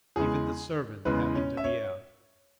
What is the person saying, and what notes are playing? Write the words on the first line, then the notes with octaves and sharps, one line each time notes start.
Even the servant happened to be out.
E2 C#3 G#3 G#4
E2 C#3 G#3 B4
C#4
E5
C#5